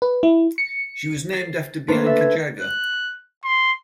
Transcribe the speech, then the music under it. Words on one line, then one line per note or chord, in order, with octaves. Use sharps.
She was named after Bianca Jagger.
B4
E4
C#7
A6 A#6 C7
A3 A#3 D4 F4 B4 C5
E5 A6
G#6
F#6
C6